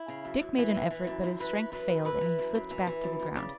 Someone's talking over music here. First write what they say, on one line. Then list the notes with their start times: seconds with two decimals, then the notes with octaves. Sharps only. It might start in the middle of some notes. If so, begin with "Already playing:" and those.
Dick made an effort, but his strength failed and he slipped back to the ground.
Already playing: E4
0.08 C#3
0.25 F#2
0.42 F#2
0.58 E3
0.74 E3
0.90 E3
1.07 F#2
1.23 F#2
1.40 E3 B4
1.56 E3
1.72 F#2 B4
1.88 F#2
2.05 E3 B4
2.21 E3
2.39 F#2
2.54 F#2
2.71 E3
2.87 E3
3.04 F#2
3.19 F#2
3.36 C#3 D5